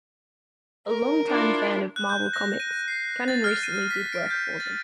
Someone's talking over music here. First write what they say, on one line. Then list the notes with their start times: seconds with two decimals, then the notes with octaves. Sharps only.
A longtime fan of "Marvel Comics", Cannon recently did work for them.
0.87 A#4
1.27 D4 E4 F4
1.96 F#6
2.09 G6
2.33 A#6
2.60 D#7
2.88 C7
3.28 A6
3.44 F6
3.63 D#7
3.90 B6
4.12 D7
4.30 G6
4.60 A6